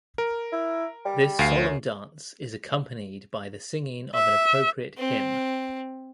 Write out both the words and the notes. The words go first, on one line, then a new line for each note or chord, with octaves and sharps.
This solemn dance is accompanied by the singing of an appropriate hymn.
A#4
E4
G3
D2 F5 C7
F#2
E5
C4